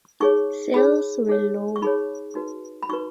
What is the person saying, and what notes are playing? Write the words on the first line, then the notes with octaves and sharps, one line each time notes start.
Sales were low.
D#4 G#4 C#5 C#6
D#4 G#4 C#5 B5
D#4 G#4 C#5
C#6
D#4 G#4 C#5 B5
D#4 F#4 B4
B5
D#4 F#4 B4 C#6